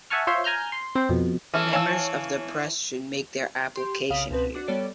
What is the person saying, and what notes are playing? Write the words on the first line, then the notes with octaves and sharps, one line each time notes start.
Members of the press should make their application here.
E5 F#5 G#5 A5 C#6 F6
F4 C5 C#5 E5 C6
G#5 A#5 F6 G6
C6
C4 C5
F2 B2
E3 C#4 A4 E5
C#5 F5 G#5 A5 E6
G4 C6
C2 C#3 F5 D#6 B6
C#2 B2 C4 B4
D4 F#4
G3 B3 A4 C#5 D5